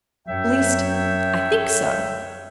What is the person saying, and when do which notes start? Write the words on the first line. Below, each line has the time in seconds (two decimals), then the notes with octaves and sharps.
'At least, I think so.
0.27 F#2 C#5 E5 G5